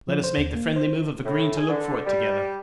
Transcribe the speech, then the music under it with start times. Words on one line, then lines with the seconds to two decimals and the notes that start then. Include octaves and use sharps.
Let us make the friendly move of agreeing to look for it together.
0.08 F3
0.24 C5
0.38 D#2
0.55 A#3
0.76 C5
1.24 A2
1.57 G#4
1.69 D3
2.07 G3